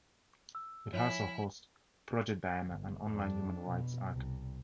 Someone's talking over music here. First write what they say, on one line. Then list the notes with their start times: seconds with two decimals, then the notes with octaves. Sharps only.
It also hosts "Project Diana: An Online Human Rights Archive".
0.55 E6
0.93 F3 E4 C#5 E5 G#5
2.67 G1
3.11 F2 D4
3.64 B2
4.11 C2